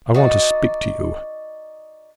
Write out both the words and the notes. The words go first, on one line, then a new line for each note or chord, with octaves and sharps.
I want to speak to you.
D#4 F#4 D5 D#5